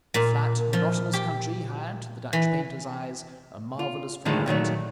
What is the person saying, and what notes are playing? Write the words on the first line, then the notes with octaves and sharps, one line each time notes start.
The flat, monotonous country had, to the Dutch painter's eyes, a marvelous variety.
A#2
F3
G4
E3
F4
A2 D3 D#3 F3 G#3 A3
A#2 D#3 F#3 A3